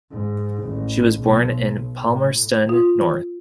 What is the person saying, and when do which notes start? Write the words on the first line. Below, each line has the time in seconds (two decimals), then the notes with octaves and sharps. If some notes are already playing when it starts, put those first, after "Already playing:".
She was born in Palmerston North.
0.11 G#2
0.64 A1
1.19 B1
2.02 A2
2.69 F4